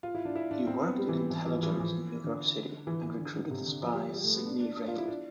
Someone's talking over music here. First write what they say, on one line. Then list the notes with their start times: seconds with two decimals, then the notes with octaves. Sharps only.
He worked in intelligence in New York City and recruited the spy Sidney Reilly.
0.03 F4
0.15 E4
0.25 D4
0.36 E4
0.51 D4
0.67 C4
0.82 B3
0.98 G3
1.09 E3
1.30 E3
1.46 E3
1.54 F3
1.63 E3
1.72 F3
1.80 E3
2.24 D3
2.87 E3
3.03 E3
3.19 D3
3.34 D3
3.50 C3
3.66 D3
3.83 F3
3.93 G3
4.13 G3
4.24 A3
4.35 B3
4.45 D4
4.60 D4
4.77 D4
4.88 F4
4.98 E4
5.08 D4